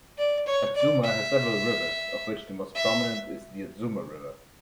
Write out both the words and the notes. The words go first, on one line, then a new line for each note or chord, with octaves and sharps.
Atsuma has several rivers of which the most prominent is the Atsuma River.
D5
C#5
D5
E5
E5